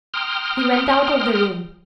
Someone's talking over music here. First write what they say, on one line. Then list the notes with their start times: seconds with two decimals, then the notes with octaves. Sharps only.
He went out of the room.
0.14 G5 A#5 C6 D#6 F6